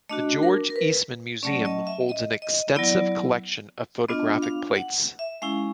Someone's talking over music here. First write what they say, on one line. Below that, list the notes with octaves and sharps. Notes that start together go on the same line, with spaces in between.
The George Eastman Museum holds an extensive collection of photographic plates.
A3 D4 F#4 D#5
A#4
A#4
B4
F#3 A3 C#4 D5
D#5
E5
D#5
D#5
F#3 B3 E4 D5
B3 D4 F4 D#5
F5
F#5
E5
G#3 C#4 E4 F5